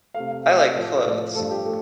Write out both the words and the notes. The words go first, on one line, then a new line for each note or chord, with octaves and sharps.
I like clothes.
C3 A3 F5
F5
C3 A3 F5
A2 F3 A3
A2 F3 A3 D5
G2 F3 A3 A4
G4
A3